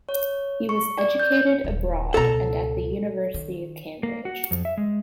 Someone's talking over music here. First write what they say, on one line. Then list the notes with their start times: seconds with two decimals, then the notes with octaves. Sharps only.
He was educated abroad and at the University of Cambridge.
0.09 C#5
0.69 C#6
0.98 D5
1.20 G6
1.64 D#1 D3
2.14 C#2 B2 A4 A#5
3.34 D#3
4.03 A#3
4.25 F#4
4.51 F2
4.65 E5
4.78 G#3